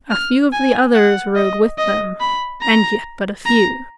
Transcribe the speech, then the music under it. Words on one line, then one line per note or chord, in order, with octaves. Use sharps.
A few of the others rode with them, and yet but a few.
F6
G#5
F#5
D#5
D#5
B5
A#5
A#5